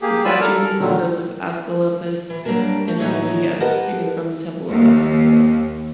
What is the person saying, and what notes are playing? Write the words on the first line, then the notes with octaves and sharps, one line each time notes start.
The statues include those of Aesculapius and Hygieia, taken from the temple of Aesculapius.
A#3 G4 G#4
F4 D5 G#5 B5 E6
A4 A#4 F6
A#2 D3 D#3 F#3
E3
F#3 G3 A#3 D4 A#4 A5
A3
D#2 A2 F#3 A3 D#4 C#5
G4 A#4 B4 D#5 F#5 A5
D#2